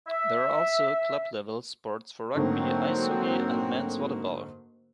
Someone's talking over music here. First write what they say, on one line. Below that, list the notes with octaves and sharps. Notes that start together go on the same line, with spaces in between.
There are also club-level sports for rugby, ice hockey, and men's volleyball.
E5
G#2 D3 F#3 A3 A#3 C4 F#4